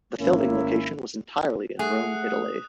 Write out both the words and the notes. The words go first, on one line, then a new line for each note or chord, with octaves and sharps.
The filming location was entirely in Rome, Italy.
G#1 A#3 C#4 E4
A3 G#4 F#5 D#6 F#6